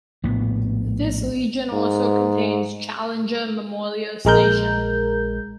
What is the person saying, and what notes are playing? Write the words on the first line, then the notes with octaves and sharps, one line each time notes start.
This region also contains Challenger Memorial Station.
A#1 A2 B3
G#2
A#1 G#3 A#4 G6